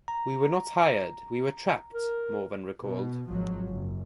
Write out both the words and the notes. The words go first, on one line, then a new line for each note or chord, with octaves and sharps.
"We were not hired, we were trapped" Morvan recalled.
A#5
A#4
B2
G#1 F3 F#3
F#1